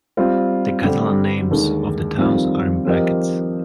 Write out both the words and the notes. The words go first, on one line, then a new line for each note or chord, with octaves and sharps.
The Catalan names of the towns are in brackets.
G3 C4 F4
D3 G3 C4 G4
D#2 D3 G#3
F2 D#3 G3 C4 F4
F3 C4 G4 A#4 D#5